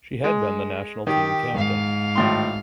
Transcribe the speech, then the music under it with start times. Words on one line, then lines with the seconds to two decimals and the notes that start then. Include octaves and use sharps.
She had been the national team captain.
0.24 G#3
1.07 D#3 G4
1.54 G#2 F5
2.16 G#1 A2 C6